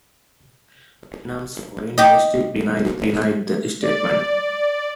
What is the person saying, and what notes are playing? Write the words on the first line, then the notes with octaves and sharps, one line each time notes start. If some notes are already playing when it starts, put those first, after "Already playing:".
Vietnam's foreign ministry denied the statement.
G4 D#5
D5